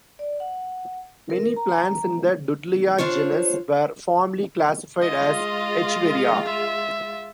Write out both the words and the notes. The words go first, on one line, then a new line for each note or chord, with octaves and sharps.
Many plants in the Dudleya genus were formerly classified as "Echeveria".
D5
F#5
A#4
A#5
D4 F4 C5 C#5
G#3 F4 D#5
E5